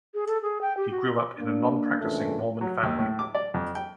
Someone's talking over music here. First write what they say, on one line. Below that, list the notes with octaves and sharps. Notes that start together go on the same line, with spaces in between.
He grew up in a nonpracticing Mormon family.
G#4
A4
G#4
G5
G4
F#4
A#3 D4
F2 A#2 C#3 E3 A3 D4
F#3
D#2
A2
D6
D5
F2
G5